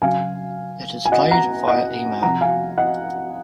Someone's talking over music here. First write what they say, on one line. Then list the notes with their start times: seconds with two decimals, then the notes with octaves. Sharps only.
It is played via email.
0.02 C#3 F#3 F5 G#5
1.05 G#5
1.12 D#5 F#5
1.31 F#5 A#5
1.68 D#5 F#5
2.22 C3 F3 F#5 A#5
2.41 F5 G#5
2.78 D#5 F#5